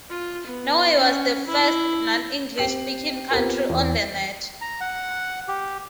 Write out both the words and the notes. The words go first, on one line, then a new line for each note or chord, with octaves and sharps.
Norway was the first non-English-speaking country on the net.
F4
B3
C#4
E4
C4 G4 G5 C7 F#7
B3 C4 F4 G4 A#4 B4
E2
A#5
F#5
G4